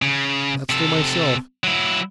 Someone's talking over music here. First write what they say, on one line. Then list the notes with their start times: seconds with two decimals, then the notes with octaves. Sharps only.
That's for myself.
0.02 C#3
0.69 C3 A4
1.64 F#3 E4